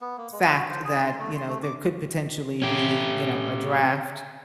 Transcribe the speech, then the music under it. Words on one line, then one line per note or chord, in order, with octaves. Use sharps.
fact that, you know, there could potentially be, you know, a draft
B3
A#3
G#3
E4
F#4
C5
G#4
C6
A3
C6
A3
D6
C#4 G4